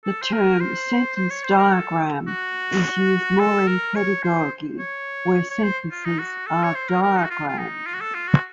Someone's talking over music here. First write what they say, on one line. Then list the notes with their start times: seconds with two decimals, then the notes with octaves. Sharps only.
The term "sentence diagram" is used more in pedagogy, where sentences are "diagrammed".
0.05 A4
0.22 C5
0.33 A#4
0.61 C5
1.16 C5
1.30 C#5
1.44 C5
1.58 A#4
1.72 A4
2.28 F#4
3.39 A4
3.67 A#4
3.95 C#5
4.24 C5
4.79 C#5
5.51 C#5
5.63 C5
5.91 F4
6.05 D#4
6.19 F#4
6.47 A4
6.63 C#5
6.75 C5
6.89 A#4
7.03 A#4
7.17 D#4
7.24 F#4
7.30 F4
7.48 F4
7.59 D#4
7.86 F4
7.94 F#4
8.01 A4
8.14 F4
8.28 F#4